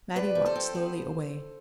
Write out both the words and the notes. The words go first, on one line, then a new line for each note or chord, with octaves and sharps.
Mattie walked slowly away.
C3 B4 D5
F3
A4 C5
C4
B3